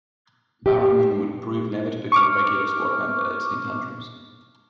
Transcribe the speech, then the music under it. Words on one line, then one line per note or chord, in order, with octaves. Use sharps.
Barrowman would prove never to become a regular squad member at Saint Andrew's.
G4
C#6 D6 F6